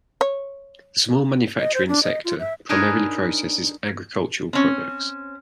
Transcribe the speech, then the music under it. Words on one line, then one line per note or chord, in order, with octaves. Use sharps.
The small manufacturing sector primarily processes agricultural products.
C#5
D#5
C5
D4
D#5
F4
E5
D4 D#4 G#4 A#4 B4 C#5
C4 C#4